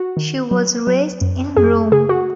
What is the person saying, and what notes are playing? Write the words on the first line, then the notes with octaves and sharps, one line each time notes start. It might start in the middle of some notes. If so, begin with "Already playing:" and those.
She was raised in Rome.
Already playing: F#4
D#3
F#3
F#3
F#2
F#2 G#4
C#3 G#4
F#4